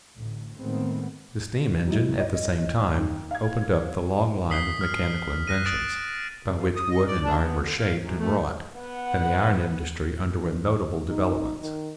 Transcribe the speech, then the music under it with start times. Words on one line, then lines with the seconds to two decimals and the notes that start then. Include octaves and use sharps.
The steam-engine at the same time opened up the long line of mechanical inventions by which wood and iron are shaped and wrought, and the iron industry underwent notable developments.
0.16 A1 D2 A2
0.58 A2 D#3 G#3 A3 B3 C4
1.88 F#3 G#3 E4
2.18 C#5 D#5
2.95 D#2
3.31 F5 G#6
4.51 D#6 B6 C7 G7
4.81 F6
5.47 F#6 A#6 D#7
5.65 D#6 A6 D7 E7
6.43 C3
6.57 F3
6.76 D#6
6.90 D#5
7.07 D5
7.24 D4
7.42 B3
7.62 D3
7.78 F5
8.02 F#2
8.19 A3
8.78 B3 F#5
11.10 D#4
11.61 D#3